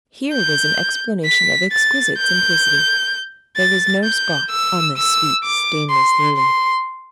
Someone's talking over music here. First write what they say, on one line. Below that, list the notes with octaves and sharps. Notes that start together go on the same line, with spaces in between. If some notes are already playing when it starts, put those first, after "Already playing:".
Here was an explanation of exquisite simplicity. There was no spot on this sweet, stainless lily.
G6
B6
A6
G6
A6
G6
E6
E6
D6
C6
C6